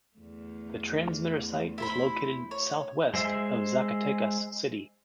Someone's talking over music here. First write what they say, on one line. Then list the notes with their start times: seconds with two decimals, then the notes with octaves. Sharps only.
The transmitter site is located southwest of Zacatecas City.
0.17 E2 D3 A3
1.78 E4 C5 B5
2.51 C#5
3.14 G#3 C5 E5